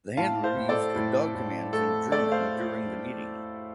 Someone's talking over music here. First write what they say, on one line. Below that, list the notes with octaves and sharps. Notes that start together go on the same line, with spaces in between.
The handler used dog commands in German during the meeting.
A2 F5 A5
C5 F5
A2
A4 D5
A2
A2
A3 A4
A3 A4 D5
C5 F5